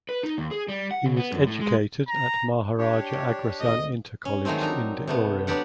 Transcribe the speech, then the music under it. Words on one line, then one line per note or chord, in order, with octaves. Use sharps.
He was educated at Maharaja Agrasen Inter College in Deoria.
B4
D#4
D#2
G#4
G3
F#5
C#3
B3
F#2
A2
G#3
A#5
D4 G4 C#5
G#1 D2 D#5
C#4
D#3 F#3 G#3 A3 C4
D4 D#4 A#4
C3 A3 B3
F#3 B3 D4 G4 D5 F#5